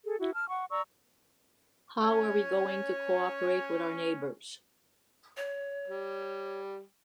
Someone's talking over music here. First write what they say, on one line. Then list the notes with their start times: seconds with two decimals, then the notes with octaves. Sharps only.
How are we going to co-operate with our neighbours?
0.04 G#4 A4
0.18 E4 F#4
0.34 A5 F6
0.48 F#5 C#6
0.70 D5 A#5 C#6 E6
2.04 C#4 C#5 G#5
5.37 C#5
5.88 G3